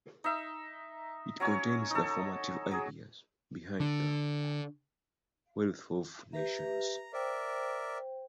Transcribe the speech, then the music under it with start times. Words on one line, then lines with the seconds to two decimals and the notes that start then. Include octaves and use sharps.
It contains the formative ideas behind the "The Wealth of Nations".
0.24 D#4 E5
1.40 F#3 C#4 C#5
1.90 D#4 A4
2.71 F#3 G#4
3.80 D3
6.33 G4 B4 E5 A#5
7.13 A#4 C5 D5 E5 G5